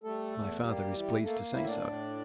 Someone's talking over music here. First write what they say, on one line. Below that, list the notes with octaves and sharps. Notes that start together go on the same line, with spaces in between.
'My father is pleased to say so.'
G3 A3 A4
E2
G3 A#3 G4
E3
A3 A#3 A4
A2 E4 E5
D4 D5
A2